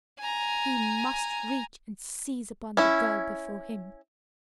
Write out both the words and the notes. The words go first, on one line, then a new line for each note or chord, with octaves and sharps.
He must reach and seize upon the girl before him!
G#5 A#5
C#4 E4